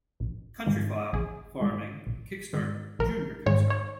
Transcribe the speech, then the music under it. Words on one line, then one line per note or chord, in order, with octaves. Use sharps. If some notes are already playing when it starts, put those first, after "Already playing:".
"Countryfile", "Farming", "Kick Start", "Junior Kick Start".
A#1
G#2 D#3 G#3
A#1 G#4
G#2 D#3 G#3
A#1
G#2 D#3 G#3
A#1 A#4
G#2 D#3 G#3 C#5
C#5